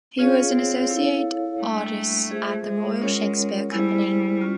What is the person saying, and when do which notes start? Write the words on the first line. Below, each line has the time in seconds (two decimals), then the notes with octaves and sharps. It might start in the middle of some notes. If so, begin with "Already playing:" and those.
He was an Associate Artist at the Royal Shakespeare Company.
0.19 C#4 F4 G#4 C#5 F5
0.55 C4
0.89 E4 A4 C#5 F5
1.60 G3 A3 A#3 D4
2.31 F4 G#4 C5 E5
2.65 G#3
3.01 C#4 F4 A#4 C#5 F#5
3.71 G3 G#3 B3 E4 G#4 C5
4.42 C#4 F4